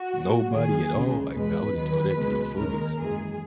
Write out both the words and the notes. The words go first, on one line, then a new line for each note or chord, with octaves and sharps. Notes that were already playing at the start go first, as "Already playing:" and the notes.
Nobody at all, like I would enjoy that to the fullest.
Already playing: F#4
A#2 F#3
D#2 D#3 F#3 G#4
C#2 C#3 G#3
E2 B2 G#3 B4
D#2 D#3 F#3
C#2 B2 G#3
D#2 C#3 G#3 A#4
F#2 E3 G#3 G#4